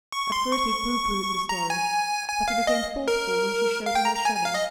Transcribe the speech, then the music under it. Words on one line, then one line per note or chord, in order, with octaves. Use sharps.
At first he pooh-poohed the story, but he became thoughtful when she showed him the shadow.
C#6
C6
C#6
A#5
G#5
G#5
F5
D#5
A#4
F5
G5
A#5
A#5
G#5
G#5
F5
D#5